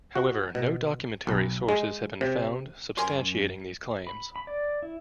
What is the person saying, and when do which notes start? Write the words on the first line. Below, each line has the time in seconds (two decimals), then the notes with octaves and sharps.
However, no documentary sources have been found substantiating these claims.
0.15 F#4
0.55 B2
1.27 B1
1.69 G#3
2.21 C3
2.98 F#2 A#4 G#5 C6
4.07 B5
4.36 B5
4.47 D5
4.83 E4